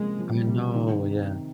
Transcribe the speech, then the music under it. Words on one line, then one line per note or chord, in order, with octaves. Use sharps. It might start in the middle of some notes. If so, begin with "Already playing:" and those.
I know, yeah.
Already playing: C3 F3 G#3 A#3 C#4
F3
G3
C3
D#3